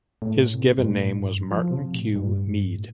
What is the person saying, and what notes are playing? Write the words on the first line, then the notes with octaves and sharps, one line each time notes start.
His given name was Martin Kew Meade.
A2
C3
G2
A2
G2
F3
C3
A2
G2
A2